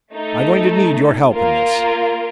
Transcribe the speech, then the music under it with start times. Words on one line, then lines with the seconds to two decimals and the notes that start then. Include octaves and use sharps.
I'm going to need your help in this.
0.13 A3 D#4 A4
1.33 A#3 F4 A#4